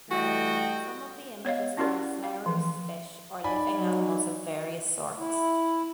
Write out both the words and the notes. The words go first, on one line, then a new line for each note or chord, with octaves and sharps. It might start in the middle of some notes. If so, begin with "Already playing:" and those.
Some of the images are of flowers, fish, or living animals of various sorts.
E3 G3 A3 F#4 D#5 G5
B3 C#5 D#5 F5
C#4 E4 F#4 G4 A#4 D5
F5
E3 F3
D#4 D5 G#5 B5
F#3
E4